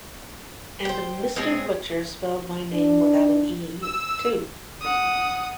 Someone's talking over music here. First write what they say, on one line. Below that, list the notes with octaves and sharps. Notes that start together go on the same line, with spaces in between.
And Mr. Butcher spelled my name without an e, too.
C5 G5
G#3 C4 C#4 G#4
D4
E6
F#5 D#6